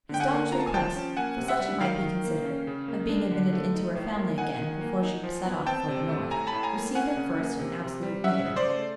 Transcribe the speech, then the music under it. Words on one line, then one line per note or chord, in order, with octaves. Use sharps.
His daughter's request, for such it might be considered, of being admitted into her family again before she set off for the North, received at first an absolute negative.
D3 G5
F#5 G#5
A#3
F4 A#5
A5
G#5
F3 G5 A5
C#4
A#3 F#5 G#5
C3
E5 F#5
G3
D#3 F5 G5
D#3
A#3
C#4
C#3
A#3
D4
D3
A3
D#4
A2
A#3
D#4 F#5 G#5
D#3
A#3
D#4
F3
B3
C4 G5 A5
C3
A3
A2 G#5 A#5
A5 B5
A2
G#5 A#5
A#3
C#4 F#5 G#5
C#3
A#3
C3
C3
G3
C#4 E5 F#5
C#3
C5 D5
A3